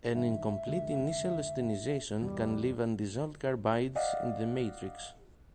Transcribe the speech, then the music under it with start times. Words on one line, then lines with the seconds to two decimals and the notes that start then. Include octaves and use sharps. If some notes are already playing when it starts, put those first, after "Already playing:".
An incomplete initial austenitization can leave undissolved carbides in the matrix.
0.15 G2 D#3 E5
0.67 F1 D3 G#3
2.21 E2 G2 B2 G3
3.95 D5 D#5 F5 F#5